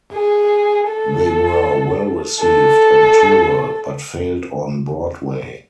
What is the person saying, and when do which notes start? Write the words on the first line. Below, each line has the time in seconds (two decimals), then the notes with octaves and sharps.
They were well received on tour but failed on Broadway.
0.13 G#4
0.88 A4
2.39 A4